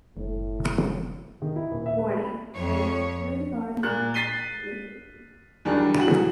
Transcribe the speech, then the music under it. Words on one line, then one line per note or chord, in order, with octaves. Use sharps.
Warning, there is a security guard who patrols the area daily.
F#1 A2
D#3
E4
D#1
E5
B4
B5
F2 C#5
A#2 F#6
A6 B6 C7 D#7 G7
E2 D#3 F#3 G3 D4
E3 F#4 F#7